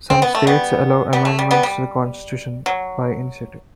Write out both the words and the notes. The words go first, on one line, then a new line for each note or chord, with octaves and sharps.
Some states allow amendments to the Constitution by initiative.
C4
B3
A3
G3 B3
G3 B3
A3
G3
G3 B3
G3
F#3